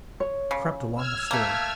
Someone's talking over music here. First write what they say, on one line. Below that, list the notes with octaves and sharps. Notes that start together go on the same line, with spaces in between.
I crept along the floor.
C#5
C#3
E6 F6 G#6
A3 A#3